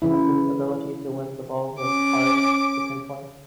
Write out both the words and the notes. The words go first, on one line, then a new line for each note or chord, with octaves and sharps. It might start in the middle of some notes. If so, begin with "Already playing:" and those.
Hudson's ability to win the ball was hard to pinpoint.
C#3 E3 E4
C#4 D6